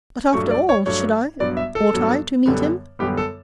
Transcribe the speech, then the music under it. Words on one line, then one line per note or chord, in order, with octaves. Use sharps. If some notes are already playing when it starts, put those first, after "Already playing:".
But, after all, should I, ought I to meet him?
G2 F#3 A3 C#6
D5
C#5
G2 F#3 A3 C#5
G2 F#3 B3 D5
E5
A4
G2 F#3 B3
F#2 D3 G3 B3
F#2 D3 G3 B3 G4
A4